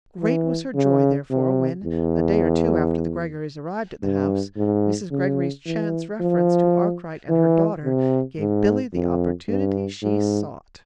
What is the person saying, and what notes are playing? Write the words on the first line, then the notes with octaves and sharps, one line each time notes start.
Great was her joy, therefore, when, a day or two after the Greggorys arrived at the house, Mrs. Greggory's chance reference to Arkwright and her daughter gave Billy the opportunity she sought.
E3
C#3
C3
E2
G2
G#2
C#3
E3
F3
E3
C3
G#2
F2
G2
G#2